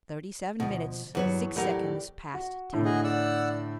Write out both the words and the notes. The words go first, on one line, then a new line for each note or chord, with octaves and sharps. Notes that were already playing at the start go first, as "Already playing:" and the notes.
"Thirty-seven minutes six seconds past ten."
D2 B2 F3
E2 G2 F#3 B4 C#5
F2 A2 F#3 G4 A#4 D5
F#4
A2 D3
F#4 G#4 D#5
D5 F#5 E6